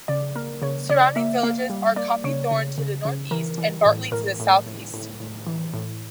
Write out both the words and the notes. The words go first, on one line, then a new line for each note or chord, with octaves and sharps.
Surrounding villages are Copythorne to the northeast, and Bartley to the southeast.
C#3 D5
A#3 A#4
C#3 C#5
C#3 D5
A#3 E5
A#3 F5
G3
A#3 D5
C#3 C#5
C#3
C#3
C#3
E3 A#4
E3
A2
A2 A#4
A2
A2
A2
A2
E3
A2